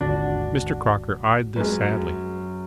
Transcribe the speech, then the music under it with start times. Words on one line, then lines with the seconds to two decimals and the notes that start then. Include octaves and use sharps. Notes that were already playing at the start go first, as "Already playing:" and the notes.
Mr. Crocker eyed this sadly.
0.01 G#1 D#2 D3 D4 F#4
1.56 F#2 G#3 B4